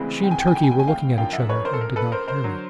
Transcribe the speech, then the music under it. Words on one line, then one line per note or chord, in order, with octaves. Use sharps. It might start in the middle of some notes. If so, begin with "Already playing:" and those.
She and Turkey were looking at each other, and did not hear me.
Already playing: D2 C#3 E3 G#3 C4
G5
G#5
G5
G#5
G5
G#5
G5
G#5
F5 G5
F#2 D3 F3 A#3 F5 G5
E5 F#5
B4 C#5
A#4 C5
A4
A#4
A4 B4
A#4 C5
A#4 C5
D3 F#3